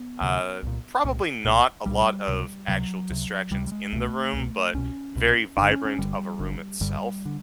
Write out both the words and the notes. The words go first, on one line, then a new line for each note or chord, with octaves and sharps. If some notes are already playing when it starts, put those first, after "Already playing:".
uh, probably not a lot of actual distractions in the room, but very vibrant of a room itself,
Already playing: B3
D2 C3
C2 A#2
C2 A#2
C2 A#2
C2 A#2 G3
C#2 C3
C#2 C3 F#3
C#2 C3
C#2 C3 G3
G3
G#3
C2 B2 A3
C2 B2
C2 B2 C#4
C2 B2
G1 G2 D3 D4
C#4
C#4
G1 G2 D3 G3
G1 G2 D3
G1 G2 D3 G3
D3